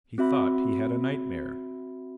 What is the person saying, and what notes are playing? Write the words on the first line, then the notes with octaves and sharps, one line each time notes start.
He thought he had a nightmare.
C4 F#4 E5 B5